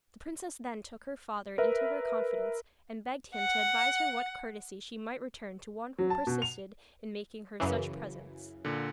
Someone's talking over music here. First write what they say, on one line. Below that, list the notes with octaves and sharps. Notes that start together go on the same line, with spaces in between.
The princess then took her father into her confidence, and begged him to advise her what courtesy she might return to one who persisted in making her such presents.
A#4 B4 E5
F#5
F#3
A5
B2
F7
F#2 C#3 E3
A#2 D3